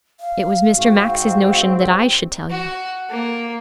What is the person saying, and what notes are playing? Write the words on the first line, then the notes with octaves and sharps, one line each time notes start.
'It was Mr. Max's notion that I should tell you.'
F5
G#2 C4 F#4
F#4
A#3